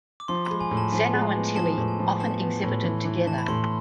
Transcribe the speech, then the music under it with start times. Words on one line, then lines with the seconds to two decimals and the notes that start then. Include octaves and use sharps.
Xeno and Tilly often exhibited together.
0.20 D6
0.28 F3 C6
0.45 B5
0.50 G#3
0.61 G#5
0.71 A2
0.77 A5
0.92 F3 G#5
1.13 G#3
1.35 B3
1.56 F3 A5
1.77 A2
1.88 G#5
1.99 F3
2.20 B3 A5
2.42 B3
2.63 A2
2.84 E3
3.05 E3
3.27 E3 A5
3.38 B5
3.48 A2 C6